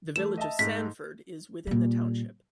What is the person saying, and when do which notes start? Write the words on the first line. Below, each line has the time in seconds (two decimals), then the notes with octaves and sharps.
The village of Sanford is within the township.
0.16 E3 A3 E7
0.37 D#5 E5 A5
0.59 G#2 G#3 A3 B6
1.67 A#2 G3